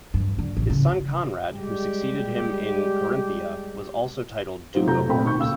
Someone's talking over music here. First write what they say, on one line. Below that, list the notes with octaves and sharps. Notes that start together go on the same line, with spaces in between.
His son, Conrad, who succeeded him in Carinthia, was also titled "duke of Worms".
G2
D3
A1
C#3
G3 G#3 G4
F#3 C4 D#4 F4 G4 C5
F1 C3 F#3 A4 A#5 G6
A#2 A3 C4 G5 B5
B2 D#3 C#6 G6
D#1 C#2 F5 E6